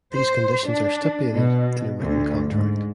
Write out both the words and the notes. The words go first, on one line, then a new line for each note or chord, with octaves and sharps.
These conditions are stipulated in a written contract.
C5
D4
B2
D2
G#2